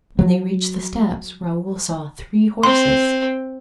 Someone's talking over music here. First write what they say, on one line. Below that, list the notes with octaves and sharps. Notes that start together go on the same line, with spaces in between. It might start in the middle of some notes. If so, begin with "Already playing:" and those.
When they reached the steps Raoul saw three horses.
F#3
C4 C6